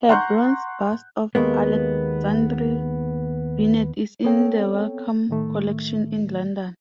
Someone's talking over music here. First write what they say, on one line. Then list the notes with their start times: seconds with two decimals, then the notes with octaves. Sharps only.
Her bronze bust of Alexandre Vinet is in the Wellcome Collection in London.
0.09 F#5 A#5 C6 C#6 F#6 G6
1.35 D#2 G#3 A#3 B3
4.24 B3 C4 A4 C#5 G5
5.29 A2 D#3 A3